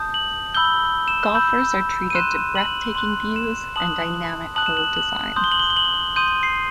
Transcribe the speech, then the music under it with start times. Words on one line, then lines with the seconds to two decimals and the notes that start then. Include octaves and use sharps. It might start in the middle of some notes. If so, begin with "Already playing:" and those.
Golfers are treated to breathtaking views and dynamic hole designs.
Already playing: A5 D#6 G6
0.14 F#7
0.54 B5 E6 G6 G7
1.08 E7
1.34 B5 E6 G6
2.10 D#7
2.15 C6 F#6 E7
2.55 F#7
2.95 C6 F#6 F#7
3.36 E7
3.76 A5 D#6 F#6 F#7
4.56 A5 D#6 F#6 F#7
4.66 E7
4.77 F#7
4.97 F#7
5.36 C6 D#6 G6
5.44 G7
5.52 F#7
5.60 G7
5.70 G7
5.77 F#7
6.16 C6 D#6 G6 D#7
6.43 C7